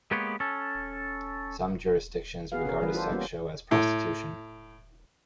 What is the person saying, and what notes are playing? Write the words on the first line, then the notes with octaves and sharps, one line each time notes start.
Some jurisdictions regard a sex show as prostitution.
G#3 A#3 B3 G4 B4 C#5
C#4 A4
B3 F#4 G#4 B4 F5
C#4 G#4 A#4
E3 G3 B4
F4 G4 A4 C5
G3 A#3 B3 C#4 F4 F#4
A2